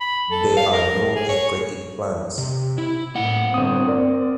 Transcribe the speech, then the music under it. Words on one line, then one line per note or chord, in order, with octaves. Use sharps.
There are no aquatic plants.
B5
A4
F5
A#4
G#4
C#5
C3
E4
A2 A#3 F#5 G5
G1 C4 D#6
A#4 D5